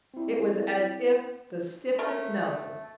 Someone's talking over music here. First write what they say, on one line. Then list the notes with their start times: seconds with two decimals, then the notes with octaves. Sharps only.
It was as if the stiffness melted.
0.14 C4 E4
1.99 A3 A#4